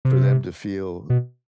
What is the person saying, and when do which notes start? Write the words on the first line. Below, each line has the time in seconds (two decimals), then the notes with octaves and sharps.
for them to feel,
0.05 C3
1.10 B2